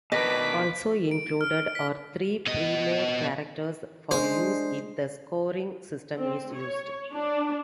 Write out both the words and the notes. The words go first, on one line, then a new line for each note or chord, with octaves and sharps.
Also included are three pre-made characters for use if the scoring system is used.
B2 D#3 D4 B4 D#5 D6 B6
D7
F6
B6
B3 D#5
G#3 D4 C5
C4
C#5
D4